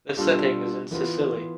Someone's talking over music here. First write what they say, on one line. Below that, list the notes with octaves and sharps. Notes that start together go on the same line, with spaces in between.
The setting is in Sicily.
B2 G3 D4 F4 A4
E3 B3 F4 B4